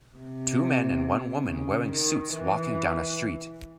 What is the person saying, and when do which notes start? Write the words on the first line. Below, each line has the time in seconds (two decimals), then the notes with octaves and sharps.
Two men and one woman wearing suits walking down a street.
0.17 C3
1.46 C#3
1.90 D#3
2.33 E3